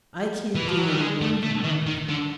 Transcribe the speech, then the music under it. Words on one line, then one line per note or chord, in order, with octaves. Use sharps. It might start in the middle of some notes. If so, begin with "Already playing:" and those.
"I can't do any more than look."
E3
F3
F#3
G3
G#3
A3
A3
D#3
D#3
D3